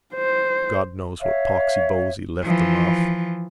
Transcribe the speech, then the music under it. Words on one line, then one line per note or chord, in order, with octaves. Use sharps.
God knows what poxy bowsy left them off.
C5
C#5 E5 F5
E3 F3